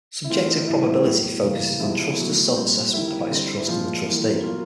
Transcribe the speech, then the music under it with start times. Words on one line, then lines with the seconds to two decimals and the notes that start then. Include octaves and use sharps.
Subjective probability focuses on trustor's self-assessment about his trust in the trustee.
0.24 E4
0.30 E3 A3 C4 F4
0.48 D#4
0.67 A2 E3 G3 B3 E4
0.86 E4
1.05 A2 F#3 B3
1.42 C#3 E3 G3 A#3
1.80 C3 F3 G#3 B3 E4
2.00 E4
2.18 B2 F#3 A3
2.56 A#2 G3 C4
2.93 D#3 G3 A#3 E4
3.30 D3 G3 C4
3.59 E4
3.68 A#2 F3 G#3 F4
4.06 E3 G3 A#3
4.43 B2 F#3 A#3 F4